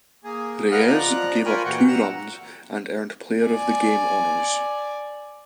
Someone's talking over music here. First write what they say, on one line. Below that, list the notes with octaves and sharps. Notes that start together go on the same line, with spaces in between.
Reyes gave up two runs and earned player of the game honors.
A#3 G#4
A#4 B4 D#5 F5 F#5
F3 D5 A#5 F#6
F4 A#4 G5 G#5 B5 C#6
A#2 E3 F#4 F#5 G5
F#5 A#5 E6
D5 G#5